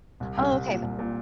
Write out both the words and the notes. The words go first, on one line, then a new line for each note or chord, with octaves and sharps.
Oh, okay, tha
C2
C2
C2
A#2
C2
A#2